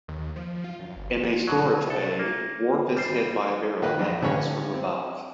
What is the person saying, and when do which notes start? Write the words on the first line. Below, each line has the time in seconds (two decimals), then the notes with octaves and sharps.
In a storage bay, Worf is hit by a barrel that falls from above.
0.08 D#2
0.36 F3
0.64 F4
0.80 F#2
0.96 G1
1.47 B2 F#3
1.88 C2 A4
2.19 A#3
2.95 G#1 G3 C5
3.82 D#3 A#3 B4 D#5
3.99 A#1 F2
4.21 A2 D3 C#4 C#5 G#5
4.74 C4